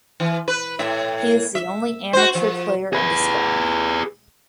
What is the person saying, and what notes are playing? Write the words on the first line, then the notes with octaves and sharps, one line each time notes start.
He is the only amateur player of the squad.
E3
B4
A2 E5
E5
F#4 C5
F3
G#4 B4